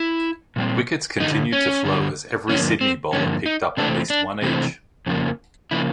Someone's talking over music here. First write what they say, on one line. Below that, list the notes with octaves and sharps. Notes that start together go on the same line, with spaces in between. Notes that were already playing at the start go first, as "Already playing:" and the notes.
Wickets continued to flow as every Sydney bowler picked up at least one each.
Already playing: E4
A#2 G3 C4
G2 D3 G3 D#4
C#4
G2 D3 G3
G2 D3 F3 A#3 C#4
C4
G2 D3 F3 A#3 C#4
D#4
C3 E3 A3 C4 D4
D4
C3 E3 A3 C4
F2 C#3 F3 A#3
C#3 F3 A#3 E4